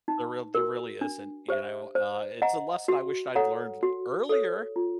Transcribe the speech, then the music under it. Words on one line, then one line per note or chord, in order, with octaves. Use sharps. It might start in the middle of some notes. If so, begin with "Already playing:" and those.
There real there really isn't, you know, uh, it's a lesson I wished I'd learned earlier
D#4
F#4 A#4
D4
G4 C5 E5
C5
D#5 F#5 A#5
F#4
A4 C#5 F#5 A#5
F#4
A4 C#5
F4